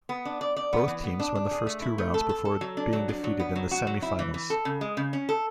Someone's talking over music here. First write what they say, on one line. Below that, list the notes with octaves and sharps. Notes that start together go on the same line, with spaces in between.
Both teams won the first two rounds before being defeated in the semifinals.
B3
D4
D5
D5
B3
E3
B3
D4
D4
G#4
A3
E4
A3
A4
A4
A4
F#3
D4
F#3
D4
F#3
B3
F#3
F#4
F#3
E4
E3
E3
A4
C#3
G#3
C#3
C#4
A4